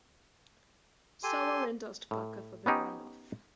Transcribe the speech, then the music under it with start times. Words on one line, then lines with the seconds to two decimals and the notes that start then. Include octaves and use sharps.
Sowell endorsed Parker for the run off.
1.23 G4 A4 G#5 C6
2.11 A2
2.66 B3 C#4 D#4 G4